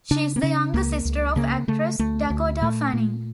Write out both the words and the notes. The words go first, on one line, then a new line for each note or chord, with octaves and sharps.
She is the younger sister of actress Dakota Fanning.
C#3 D4
A#3
C#3 C#4
C#2 A#3
C#2
C#3 A#3
C#3 A3
D2 A3
D2
A#2 A3
A#2